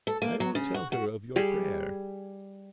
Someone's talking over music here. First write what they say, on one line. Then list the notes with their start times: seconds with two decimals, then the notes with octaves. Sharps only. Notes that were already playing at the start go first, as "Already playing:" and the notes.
I will tell her of your prayer.'
0.07 A4
0.22 A#3
0.40 F#3
0.55 C#3
0.74 F#4
0.92 F#4
1.36 G3 G4 G#4